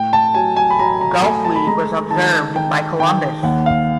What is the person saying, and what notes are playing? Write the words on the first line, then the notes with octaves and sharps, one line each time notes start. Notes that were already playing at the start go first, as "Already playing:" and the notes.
Gulfweed was observed by Columbus.
Already playing: A2 G5
A5
F#3 G#5
G#5
B5
F#3 A#5
A#5
A3 G#5
A5
B5
G#3 A#5
D#3 A5
D#3 G5
D#3 G5
D#2 F#5
F5